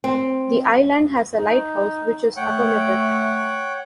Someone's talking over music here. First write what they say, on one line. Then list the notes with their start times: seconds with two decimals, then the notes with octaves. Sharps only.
The island has a lighthouse, which is automated.
0.04 C4
1.38 D#4
2.37 A3 C#5 F#5 G5